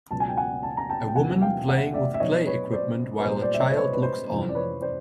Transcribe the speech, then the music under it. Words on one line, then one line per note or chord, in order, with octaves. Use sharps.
A woman playing with play equipment while a child looks on.
C#2 B2 F#3 B3 A5
G#5
G5
F#5 G#5
A5
A#5
G5 A5
G5
E2 C3 F3 A#3 D4 F#5 G#5
F5 G5
E5 F#5
D5 E5
E5
B2 F#3 B3 D#4 C#5 D#5
B4 C#5
C5 D5
B4
A#2 G3 B3 C5
C5 D5
E5
C#5 D#5
C5
B4 C#5
B4
C5
F2 C3 E3 C5
D5
B4 C#5
C5 D5